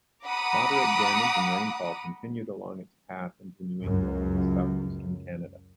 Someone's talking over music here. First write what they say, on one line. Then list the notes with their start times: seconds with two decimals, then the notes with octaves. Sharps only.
Moderate damage and rainfall continued along its path into New England and southeastern Canada.
0.25 F#5 A#5 B5 D6 D#6
3.83 C#2 F#2